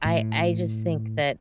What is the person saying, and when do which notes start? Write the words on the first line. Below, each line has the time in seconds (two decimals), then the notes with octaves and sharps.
I I just think that
0.05 A2